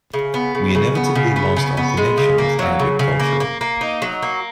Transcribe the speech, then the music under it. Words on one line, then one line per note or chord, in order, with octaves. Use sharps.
We inevitably lost our connection with Arabic culture.
C#3
B3
C#3
C#3
B3
C#3
B3
C#3
B3
G#3
C#3
A#3
F#3
C#3
C#3
A#3
A#3
A#3
D#4
F#3
A#3